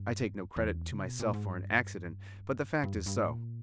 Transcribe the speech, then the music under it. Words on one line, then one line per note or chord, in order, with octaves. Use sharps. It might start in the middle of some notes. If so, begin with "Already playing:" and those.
I take no credit to myself for an accident, but the fact is so.
Already playing: G2
E2
C#3
B2
A#2
G#2
G2
G2
E2
G2
G#2
A#2